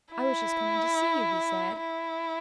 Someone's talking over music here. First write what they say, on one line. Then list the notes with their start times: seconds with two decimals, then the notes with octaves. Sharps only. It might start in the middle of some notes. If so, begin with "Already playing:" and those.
"I was just coming to see you," he said.
0.13 E4
1.80 E4